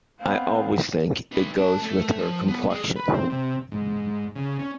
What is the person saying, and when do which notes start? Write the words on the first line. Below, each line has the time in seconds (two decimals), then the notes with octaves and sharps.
I always think it goes with her complexion.
0.19 B3 C4 F5
1.32 D#4 B4
1.56 C#4 A5
1.82 A3 A4
2.18 F3
2.48 B3
2.70 G3 G#4
2.96 B4
3.14 C4
3.30 C3
3.72 G#2
4.36 C#3
4.59 C#4